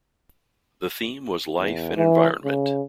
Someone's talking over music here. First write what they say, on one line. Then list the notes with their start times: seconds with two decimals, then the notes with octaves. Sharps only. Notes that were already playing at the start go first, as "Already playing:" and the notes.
The theme was Life and environment.
1.58 E2
1.97 E3
2.44 C#3